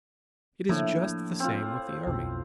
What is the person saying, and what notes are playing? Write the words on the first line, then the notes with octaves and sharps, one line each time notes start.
It is just the same with the army.
A2 F3 A#3 D4
C4 F4
B1 F2 B2